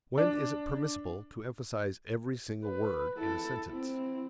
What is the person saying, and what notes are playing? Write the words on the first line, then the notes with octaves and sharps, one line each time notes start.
When is it permissible to emphasize every single word in a sentence?
D4
B4
E4 A4
C4 E4